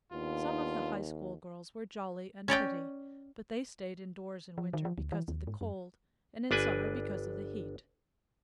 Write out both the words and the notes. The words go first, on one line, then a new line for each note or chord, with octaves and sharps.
Some of the High-School girls were jolly and pretty, but they stayed indoors in winter because of the cold, and in summer because of the heat.
D#2 B3 D4 F4
C#4 C#5 D5 G5
F3
D#3
F3
D2
E3
D#2
G#2
F#2
G1 D4 B4 G#5